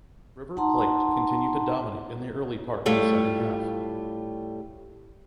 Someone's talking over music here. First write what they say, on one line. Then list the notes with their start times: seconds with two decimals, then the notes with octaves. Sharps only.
River Plate continued to dominate in the early part of the second half.
0.57 D#4 F#5 A5 A#5 C6
2.86 A2 G3 A3 F4 G4